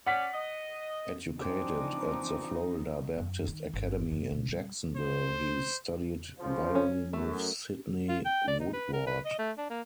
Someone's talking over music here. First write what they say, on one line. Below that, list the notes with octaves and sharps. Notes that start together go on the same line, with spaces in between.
Educated at the Florida Baptist Academy in Jacksonville, he studied violin with Sidney Woodward.
C#4 D5 F#5 B6
D#5
E3 F3 C4 D4 D#4 G#5 C6 D6
F#2
D#3
G1
F#2
B2
G3
C5
C#3 F3
C#4
F#2 A3
F4
G5
D5
D#4
B4
A#4
B4
D#5
A3
D4
A#3